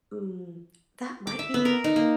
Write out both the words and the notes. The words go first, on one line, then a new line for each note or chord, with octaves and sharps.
Mm, that might be
D6
E5
B3
A#4
D#4
A#3